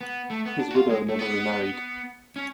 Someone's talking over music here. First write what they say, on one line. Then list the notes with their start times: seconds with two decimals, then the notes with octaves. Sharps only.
His widow never remarried.
0.01 B3
0.30 A3
0.46 B3
0.59 D4
0.71 F#4
0.74 F4
0.90 G#3
1.09 A3
1.19 B3
2.36 C#4